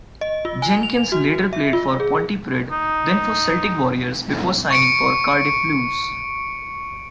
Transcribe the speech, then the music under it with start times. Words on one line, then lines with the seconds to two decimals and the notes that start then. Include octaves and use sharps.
Jenkins later played for Pontypridd, then for Celtic Warriors before signing for Cardiff Blues.
0.21 D#5
0.45 F4
0.62 G#5
0.83 F7
1.12 F#4
1.53 E5
1.73 F4
2.00 G#4
2.71 D#4
4.70 C#6 C#7 D7